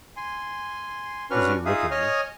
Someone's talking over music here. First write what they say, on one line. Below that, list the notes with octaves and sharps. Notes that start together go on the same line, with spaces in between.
Busy looking.
G#5 C6
C#4 D4 F#4 B4 C#6 F6
D#4 F4 G#4 E5 F5 D#6
C#5 D#5 G#5 D#6 F6